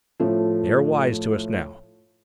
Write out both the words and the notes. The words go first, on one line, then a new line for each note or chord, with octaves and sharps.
They are wise to us now.
A2 F3 A3